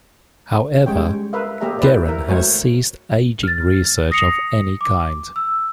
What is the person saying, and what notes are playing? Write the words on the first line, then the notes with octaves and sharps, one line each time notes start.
However, Geron has ceased aging research of any kind.
G3 G#3 C#4 C#5 G5
A#4 B4 E5 F5
A3 A#3 G4 G#4 E5 A#5
E4 B4 C5 D5
A#4 E5
G#3 A3 F#4 A#4 C5 C#5
F6 A6
D#6 A#6 C7 C#7 F7
D6
E6